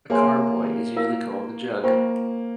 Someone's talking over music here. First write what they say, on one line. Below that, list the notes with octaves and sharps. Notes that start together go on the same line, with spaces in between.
A carboy is usually called a jug.
A#3 G#4 C#5 E5 G#5 C6
E4 A#4 F5
A#3 F4 C5 G5 C#6